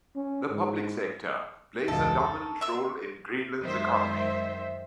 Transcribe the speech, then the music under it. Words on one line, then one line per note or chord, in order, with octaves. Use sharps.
The public sector plays a dominant role in Greenland's economy.
C#4
G#2
E1 C#2 A4
A#5 C#6
E5 E6
F#2 D#3 G#3 C5 E5